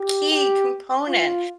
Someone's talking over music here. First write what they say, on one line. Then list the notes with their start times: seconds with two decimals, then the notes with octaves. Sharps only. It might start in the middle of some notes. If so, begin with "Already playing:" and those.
key component
Already playing: G4
0.31 G4
1.08 F4